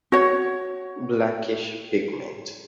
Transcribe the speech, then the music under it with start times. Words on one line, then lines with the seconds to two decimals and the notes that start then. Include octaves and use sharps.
Blackish pigment.
0.12 F#4 C#5